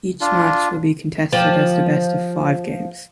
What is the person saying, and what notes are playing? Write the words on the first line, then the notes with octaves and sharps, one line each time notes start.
Each match will be contested as the best of five games.
D4 F4
F3 G4